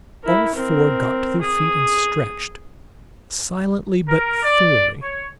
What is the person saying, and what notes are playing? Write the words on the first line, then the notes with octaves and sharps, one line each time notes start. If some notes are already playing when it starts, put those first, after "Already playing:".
All four got to their feet and stretched, silently but thoroughly.
E4 A#4
C4 A#4
G#4 D#6
A#4
D5
C#5